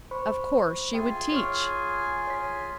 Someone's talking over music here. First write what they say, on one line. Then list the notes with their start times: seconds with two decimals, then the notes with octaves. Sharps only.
Of course she would teach!
0.11 C5 B5 C#6
0.93 F4 G#4 E5 G5 G#5
1.32 C#5 C#6 F6
2.27 C#5 B6